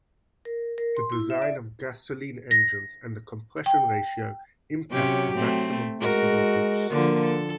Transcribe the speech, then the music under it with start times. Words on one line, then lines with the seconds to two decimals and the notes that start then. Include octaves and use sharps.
The design of gasoline engines and the compression ratio impact the maximum possible boost.
0.45 A#4
0.78 A#4
0.97 C6
1.12 E4
1.30 E5
1.42 D5
2.51 A#6
3.66 G5
4.91 C3 F#3 C#4 G4
5.37 A3 C4
6.00 G#3 F#4 A#4
6.91 D3 F3 A#3
7.23 A4